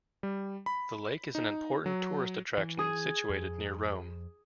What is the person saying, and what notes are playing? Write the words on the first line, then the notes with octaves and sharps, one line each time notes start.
The lake is an important tourist attraction situated near Rome.
G3
B5
D#4
F#3
E3
G#4
F2